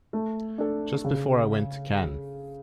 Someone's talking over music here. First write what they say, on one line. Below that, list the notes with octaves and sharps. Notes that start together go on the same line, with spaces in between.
Just before I went to Cannes.
A3
D4 A4
C#3